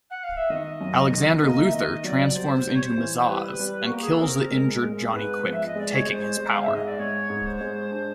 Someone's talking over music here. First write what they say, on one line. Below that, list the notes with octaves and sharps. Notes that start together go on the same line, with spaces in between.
Alexander Luthor transforms into Mazahs and kills the injured Johnny Quick, taking his power.
F#5
F5
E5
D#3 D#5
F#2
D#3
A#3 D#5
E5
D#3 D#5
F#3 D5
G3 C5
G3
C#5
C5
E3
G3 B4
G3
F#4
A#3 G4
G#4
A4
C4 A#4
G#3
G#3
G#2 B4
F3
E5
D#5
G#3 D5
C#5
G#3 C5
G#3
F5
E5
G#2
D#5
D5
G#3 C#5
G#2
C5
G#3
D4